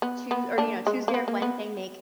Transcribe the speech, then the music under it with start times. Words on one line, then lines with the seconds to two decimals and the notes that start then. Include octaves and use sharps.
Tues or, you know, Tuesday or Wednesday make
0.02 B3
0.31 B3
0.58 A#3 D4
0.87 G#3
1.08 A#3
1.14 B3
1.28 A#3
1.42 B3